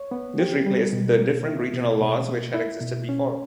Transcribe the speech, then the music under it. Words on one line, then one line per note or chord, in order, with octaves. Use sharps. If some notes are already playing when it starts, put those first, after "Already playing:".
This replaced the different regional laws which had existed before.
Already playing: C#5
B3
G4
G3
B2
A#3
E4
B2
B2
A#3
E4
B2
C#4